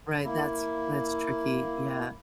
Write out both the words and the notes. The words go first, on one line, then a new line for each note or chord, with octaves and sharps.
Right, that's that's tricky. Yeah.
A#3 E4